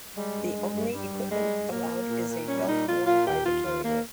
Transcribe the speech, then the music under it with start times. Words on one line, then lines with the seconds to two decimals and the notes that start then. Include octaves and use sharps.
The only equipment allowed is a belt worn by the carrier.
0.15 G3 G#3
0.34 G2
0.54 G2
0.73 G2
0.92 G2 G3
1.12 G2
1.30 G3 G#3
1.51 G2
1.69 A#2 A#3
1.90 A#2
2.09 A#2
2.28 A#2
2.47 G3 C#4
2.66 A#2 D#4
2.86 A#2 F4
3.06 A#2 F4
3.24 D#2 G4
3.44 D#2 F4
3.63 D#2 F4
3.83 D#2 A#3